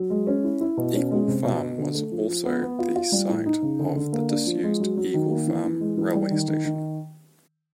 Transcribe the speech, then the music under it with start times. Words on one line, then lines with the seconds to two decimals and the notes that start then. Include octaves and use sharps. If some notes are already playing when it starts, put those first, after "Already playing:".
Eagle Farm was also the site of the disused Eagle Farm railway station.
Already playing: F#3
0.10 G#3
0.27 C#4
0.44 E4
0.61 E4
0.77 B2
0.94 C#4
1.11 G#3
1.28 C3
1.44 B2
1.61 B2
1.78 D3
1.95 A3
2.12 F3
2.28 F3
2.45 B3
2.62 B3
2.79 F4
2.96 F4
3.12 G3
3.29 A2
3.46 D#4
3.62 C#3
3.79 D3
3.96 D3
4.13 A#3
4.30 D4
4.47 F3
4.63 G#3
4.80 F#3
4.97 F#3
5.14 D#3
5.30 A#3
5.47 E3
5.64 E3
5.81 G#3
5.97 E3
6.15 G3
6.31 D#3
6.48 D#3
6.65 D#3